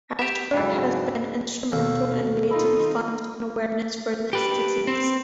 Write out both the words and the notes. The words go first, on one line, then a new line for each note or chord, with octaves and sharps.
Ashford has been instrumental in raising funds and awareness for this disease.
G4 E5
F2 G#2 C#3 E3 F#3
D#2 B2 A4
D#4 F4 A4 B5
G4 B4
C4